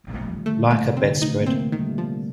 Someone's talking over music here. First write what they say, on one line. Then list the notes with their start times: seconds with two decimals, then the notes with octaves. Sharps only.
Like a bedspread.
0.14 A3
0.21 G3
0.30 F3
0.37 D#3
0.46 D3 A3
0.64 A#2
0.71 A3
0.83 C3
0.97 C4
1.03 D3
1.22 A3 D#4
1.41 A#3
1.46 C4
1.59 A3
1.72 D#3
1.79 G3
1.98 F3